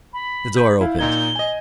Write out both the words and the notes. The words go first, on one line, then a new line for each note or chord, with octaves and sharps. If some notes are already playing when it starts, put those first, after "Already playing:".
The door opened.
B5
G6
E4 F5
A#2 D#4 G#6 G7
D#5 G#5